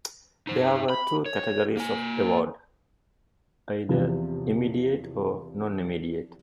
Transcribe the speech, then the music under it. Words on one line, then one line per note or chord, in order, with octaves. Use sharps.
There were two categories of award, either "Immediate" or "Non-Immediate".
D#4 C5
B5
C#5
A#3 G#5
E2 C3 E3 F3